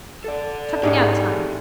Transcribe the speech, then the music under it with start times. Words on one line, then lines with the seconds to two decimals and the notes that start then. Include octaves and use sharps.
Chuckingout time.
0.24 A4 D5
0.83 G#2 A3 D4 G4 G#4 C#5